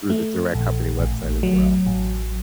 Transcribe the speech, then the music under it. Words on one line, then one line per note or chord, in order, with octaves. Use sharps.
through the direct company website as well.
A3
A#1
A1
F#3
A1